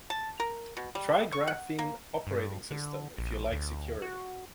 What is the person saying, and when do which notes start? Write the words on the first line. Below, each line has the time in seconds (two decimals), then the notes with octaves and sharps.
Try Graphene Operating System, if you like security.
0.10 A5
0.40 A#4
0.77 B2
0.95 G3
1.32 C#6
1.47 F#5
1.79 A#3
2.27 G2
2.71 D3
3.18 A#1
3.52 D2
4.02 F#4